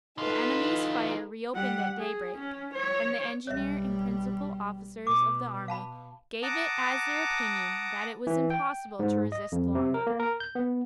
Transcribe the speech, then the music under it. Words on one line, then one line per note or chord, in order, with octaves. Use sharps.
The enemy's fire reopened at daybreak, and the engineer and principal officers of the army gave it as their opinion that it was impossible to resist longer.
E3 D#4 F4 A4 B4
G3 F#5
G#4
C#4
C#5
B1 G3 C#5 D#5 E5
B2 D6
F5 A5 B5
F#5 A5 A#5 D6 D#6
E3
G5
G#2
D#5
F2
C3
A#4
A#3
A#4
G6
B3